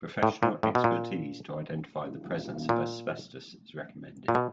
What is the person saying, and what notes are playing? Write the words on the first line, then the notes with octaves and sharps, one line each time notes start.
Professional expertise to identify the presence of asbestos is recommended.
A2
A#2
A2
B2
A#2
A#2
A#2
B2